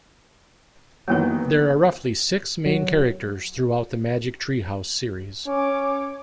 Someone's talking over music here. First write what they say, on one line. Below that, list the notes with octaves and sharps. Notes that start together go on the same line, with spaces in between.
There are roughly six main characters throughout the Magic Tree House series.
D#3 E3 F#3 A#3 B3 B4
F#3
C#4 C#5 D6